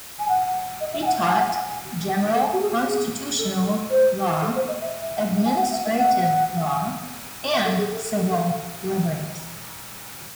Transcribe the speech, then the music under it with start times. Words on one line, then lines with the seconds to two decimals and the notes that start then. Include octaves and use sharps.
He taught general constitutional law, administrative law and civil liberties.
0.19 G#5
0.29 F#5
0.81 D#5
0.93 E5
1.02 G#5
1.06 F#5
1.28 G#5
1.38 F#5
1.47 G#5
2.35 A4
2.53 F#4
2.61 G#4
2.70 F#4
2.87 G#4
3.38 A4
3.90 C5
4.42 A4
4.55 C5
4.68 D#5
4.81 E5
5.46 G#5
5.59 F#5
5.72 E5
5.84 D#5
5.97 F#5
7.53 E5
7.65 A4
7.78 G#4
7.91 A4
8.04 A4
8.17 A4
8.30 A4